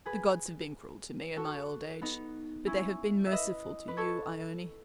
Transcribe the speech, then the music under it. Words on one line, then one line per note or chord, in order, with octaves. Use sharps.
The gods have been cruel to me in my old age; but they have been merciful to you, Ione.
G#4 B4
F#4 A4
B3 D#4
C#4 E4
E5
B4 D#5
B4
A4 C#5